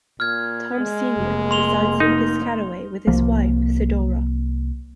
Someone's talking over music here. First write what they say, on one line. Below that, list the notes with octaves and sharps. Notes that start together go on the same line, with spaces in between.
Tom Senior resides in Piscataway with his wife, Sedora.
A#2 F6 G#6
G#3
F1 A#3
C6 F7 G7
D#4
C2 F3 A#3